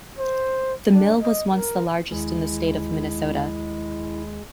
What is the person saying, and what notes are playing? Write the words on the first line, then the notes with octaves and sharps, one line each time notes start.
The mill was once the largest in the state of Minnesota.
C5
D4
D#5
A#4
D#2 G#3 E4